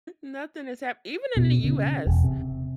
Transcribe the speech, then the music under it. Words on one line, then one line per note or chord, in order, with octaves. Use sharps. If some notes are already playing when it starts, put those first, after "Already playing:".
Nothing has happ even in the US,
B2
C#3
E1
C3